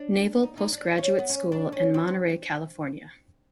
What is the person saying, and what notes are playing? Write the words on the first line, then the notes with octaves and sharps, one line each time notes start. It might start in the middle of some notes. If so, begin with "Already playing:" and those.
Naval Postgraduate School in Monterey, California.
Already playing: D4
D#4
D#4
D4
C#4
B3
C#4
D4
C#4
C4